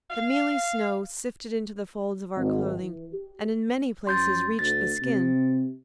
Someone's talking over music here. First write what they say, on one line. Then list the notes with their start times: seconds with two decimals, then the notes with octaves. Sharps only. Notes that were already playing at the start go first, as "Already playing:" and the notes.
The mealy snow sifted into the folds of our clothing and in many places reached the skin.
0.10 F5
2.36 G#1
2.78 E3
3.13 G4
4.07 F#2 C6 G6 A6
4.59 D2 A6
5.02 C3